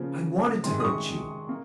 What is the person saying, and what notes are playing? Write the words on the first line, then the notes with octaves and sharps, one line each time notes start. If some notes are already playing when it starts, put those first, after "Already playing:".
I wanted to hurt you.
Already playing: C#3 F3 A#3
C3 D#3 G#3 C6
D#6
C#6
A#3